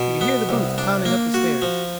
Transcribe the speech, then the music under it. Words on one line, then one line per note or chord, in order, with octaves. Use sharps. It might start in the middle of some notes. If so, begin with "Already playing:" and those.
He could hear the boots pounding up the stairs.
Already playing: B2
B3
C2
D4
A#3
F#4
F3